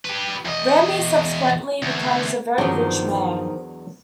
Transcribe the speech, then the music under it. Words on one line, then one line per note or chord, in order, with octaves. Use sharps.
Ramey subsequently becomes a very rich man.
G4 B4
E2 D#5
D2 E3
E2 G2 D#3 F3 F#3 D4